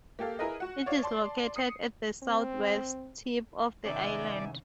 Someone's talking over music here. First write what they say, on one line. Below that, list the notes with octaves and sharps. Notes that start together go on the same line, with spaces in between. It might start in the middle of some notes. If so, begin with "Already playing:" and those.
It is located at the southwest tip of the island.
A#3 G4 A4 F5
E4 G#4 A#4 B4 D#5
F#4 F#5
C#5 D5 F5
D5 A5 C6 C7
D#6 C7 C#7
C4
C3 D#3 B3 C#4 D#4 D5 E5 G#5